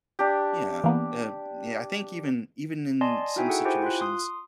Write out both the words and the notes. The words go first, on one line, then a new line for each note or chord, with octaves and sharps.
Yeah, uh, yeah, I think even even in some situations,
D4 G4
E3 A#3 B3
D5 D#5 G#5 A5 C6
D#4 E4 F#4 E5 G5 G#5
G#4 A4 F#5 G5
E4 G4 C5 G5 G#5
F4 F#6
C6 D#6